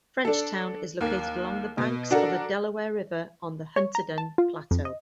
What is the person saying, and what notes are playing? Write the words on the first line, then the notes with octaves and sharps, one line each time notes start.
Frenchtown is located along the banks of the Delaware River on the Hunterdon Plateau.
D4 A4
D#2 A#3
B2
D4 F#4 A4 A#4
C#5
A#5
A5
F4
F2
D#5